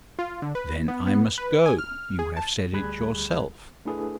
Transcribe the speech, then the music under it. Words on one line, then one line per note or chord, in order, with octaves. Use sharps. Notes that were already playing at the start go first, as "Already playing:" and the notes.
"Then I must go:--you have said it yourself."
F4
D3
B4
B3
B3
B4
G#5
F6
G#4
A5
D2 G3 G#4 B5 F#6 G#6
A3 D4 E4 G#4 A4 B4